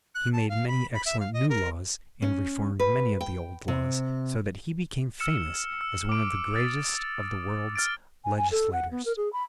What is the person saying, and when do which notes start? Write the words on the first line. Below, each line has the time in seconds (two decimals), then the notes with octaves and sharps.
He made many excellent new laws and reformed many of the old laws, so that he became famous as one of the greatest of the world's legislators.
0.15 F#6
0.33 A5
0.49 F5
0.68 B5
0.94 B5
1.06 E5
1.20 F5
1.34 D#5
1.50 A#4
2.22 C#4
2.79 B4
3.21 G5
3.68 C3
5.20 E6 F6 C#7 E7
5.81 E6
6.09 D6 D7
6.53 D#6 A6
7.76 F6 A6 D7
8.24 G#5
8.37 G#5
8.51 A4
8.72 F#5
8.90 B3
9.05 A#4
9.17 G#4
9.32 B5